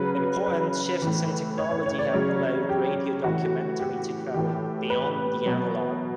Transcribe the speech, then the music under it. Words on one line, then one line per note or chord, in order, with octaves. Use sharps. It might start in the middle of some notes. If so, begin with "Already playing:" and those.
Important shifts in technology have allowed radio documentary to travel beyond the analog.
Already playing: C#3 F#3 B4
B4
A2 E3
C#5
C#5
C#5
D5
C#3 F#3 C#5
G4
A2 E3 F#4
G4
A2 E3 G4
B4
B2 F#3